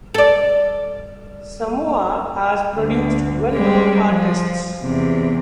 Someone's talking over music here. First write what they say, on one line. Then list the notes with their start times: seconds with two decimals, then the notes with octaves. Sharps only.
Samoa has produced well-known artists.
0.14 A4 D5
2.75 D2
3.52 G3 G#3
4.10 F3
4.82 E2 C3